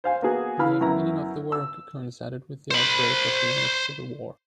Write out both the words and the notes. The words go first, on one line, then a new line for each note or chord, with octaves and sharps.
The beginning of the work coincided with the outbreak of the English Civil War.
C5 F5 G#5
A#3 B3 F#4 G#4
E3 F5 B5 F6
F#2 B3 E4 A#5
E6
C5 B5